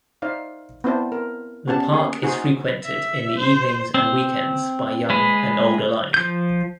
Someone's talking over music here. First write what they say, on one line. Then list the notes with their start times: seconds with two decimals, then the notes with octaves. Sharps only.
The park is frequented in the evenings and weekends by young and old alike.
0.22 D#4 C5 D5 E5 F5
0.84 B3 C4 E4 C5 D5 A5
1.12 A#4
1.67 B3 C#4 G4 D5 F#5 A5
1.92 A#3 G#4
2.22 D#4 F#4 G#4 C5
2.83 E5
3.38 C5
3.94 C4
5.10 G#3 B4
6.14 F3 G6